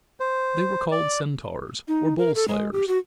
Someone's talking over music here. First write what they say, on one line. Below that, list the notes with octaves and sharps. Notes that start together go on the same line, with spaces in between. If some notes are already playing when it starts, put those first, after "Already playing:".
They were called Centaurs, or Bull-Slayers.
C5
D5
D#4
A#4
A4
G#3
G4
F#4